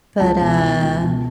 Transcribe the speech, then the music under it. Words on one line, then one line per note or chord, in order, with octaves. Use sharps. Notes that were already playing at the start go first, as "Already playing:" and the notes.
But, uh
C#2 A5
B2
B2
C#2
B2